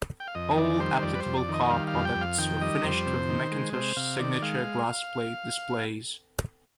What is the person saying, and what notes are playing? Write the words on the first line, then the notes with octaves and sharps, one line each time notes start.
All applicable car products were finished with McIntosh's signature glass plate displays.
G5
F5
F2 D#5
D#3 D5
G3 C5
F2 D5
B4
C5
F2
D5
D#3
D#5
G3 F5
F5
F2
G5
F2
F5
D#3 G5
G3 D#5
F2 C5
C3
D#3
G#3
C3 C5
C3 F5
D#3 D5
G#3 F5